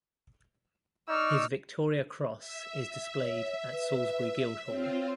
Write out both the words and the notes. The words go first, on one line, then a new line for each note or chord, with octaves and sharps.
His Victoria Cross is displayed at Salisbury Guild Hall.
D#4 D5 C#6 E6 F6
E5
C#5
B4
C4 F4 C#5